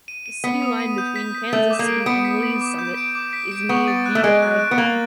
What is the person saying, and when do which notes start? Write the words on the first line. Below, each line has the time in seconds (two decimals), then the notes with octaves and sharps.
The city line between Kansas City and Lee's Summit is near View High Drive.
0.08 D#7
0.26 D#7
0.44 B3 B6
0.62 D#6
0.80 D#7
0.98 G6
1.16 B6
1.35 B6
1.52 A3 B6
1.70 D6
1.79 A#3
1.88 D7
2.06 B3 D7
2.25 B6
2.43 B6
2.61 D6
2.79 G6
2.97 D7
3.15 D6
3.33 B6
3.52 D7
3.69 B3 C#6
3.88 A6
4.06 F#6
4.15 A3
4.24 G#3 D7
4.42 F#6
4.59 F#6
4.71 B3
4.78 A#3 A6